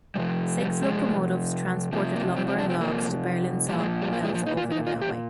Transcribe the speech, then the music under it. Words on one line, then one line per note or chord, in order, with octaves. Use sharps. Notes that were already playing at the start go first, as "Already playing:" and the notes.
Six locomotives transported lumber and logs to Berlin sawmills over the railway.
C3 F3 G3
G3
G#3
C3 F3 A#3
A#3
C4
C4
D4
C4
A#3
A#2 F3 G3
G#3
G3
A#3
G#3
F3
D#4
F4
D#4
F4
G4